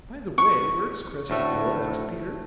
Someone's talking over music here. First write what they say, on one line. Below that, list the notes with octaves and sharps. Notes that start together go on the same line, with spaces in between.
"By the way, where does Cresty build?" asked Peter.
C#6
D2 A2 A3